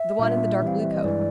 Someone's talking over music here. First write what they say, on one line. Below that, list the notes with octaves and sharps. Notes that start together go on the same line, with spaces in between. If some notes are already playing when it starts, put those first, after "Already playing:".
"The one in the dark blue coat?"
Already playing: E5
A#2 G3 A#3 D4 F4
E3 G3 C4 F5
E5
D#5
G2 E3 G#3 D5